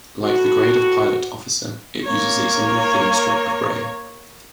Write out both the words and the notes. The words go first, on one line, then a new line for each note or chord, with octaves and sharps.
Like the grade of pilot officer, it uses a single thin strip of braid.
A2 F#4
A#3 C#5